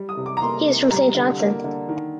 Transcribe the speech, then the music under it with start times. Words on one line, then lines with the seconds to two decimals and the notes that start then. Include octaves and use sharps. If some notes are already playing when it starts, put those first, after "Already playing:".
He is from St Johnston.
Already playing: G3
0.09 D#6
0.17 C3
0.26 D6
0.37 A#5
0.42 A#3 C6
0.67 C3
0.91 G3 A#5
1.15 D3
1.40 A#3
1.64 D3
1.89 D#3